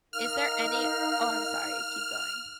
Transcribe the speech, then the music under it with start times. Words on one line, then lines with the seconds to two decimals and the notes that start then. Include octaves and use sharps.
Is there any Oh, I'm sorry keep going.
0.13 D#4 A#4 F5 F6